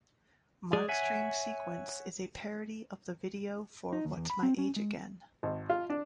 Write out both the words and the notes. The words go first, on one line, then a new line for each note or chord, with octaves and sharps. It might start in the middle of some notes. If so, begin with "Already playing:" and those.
Mark's dream sequence is a parody of the video for What's My Age Again?
G#3 G#4 D5
C#5 E5 F#5 G#5
D#4
D#2
E2
B5
C4
C#4
G#3
G#1
F4
D4